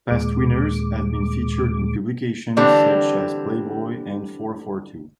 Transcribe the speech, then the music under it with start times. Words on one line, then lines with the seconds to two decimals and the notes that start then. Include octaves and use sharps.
Past winners have been featured in publications such as Playboy and Four Four Two.
0.11 D#2 A#2 G#3 D6
2.57 D3 E3 G3 C4 D4